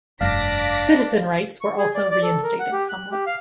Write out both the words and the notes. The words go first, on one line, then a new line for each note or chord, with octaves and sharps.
Citizen rights were also reinstated somewhat.
F1 G2 D4 F5 D6 A#6 B6
C#6
G#4
D5
D5
A4
A#4
F#5
G4
F#6
G4
F5